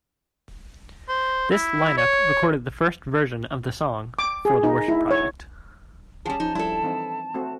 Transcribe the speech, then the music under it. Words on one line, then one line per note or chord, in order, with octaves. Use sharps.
This line-up recorded the first version of the song for "The Worship Project".
C5
E4
C#5
D6
G#4
D#4
E4
C#5
F3 G3 C#4 G#4 A5
F3 D#4
F3 G3 D4 E4 A4
E3 C4 D#4
A3 C4 F#4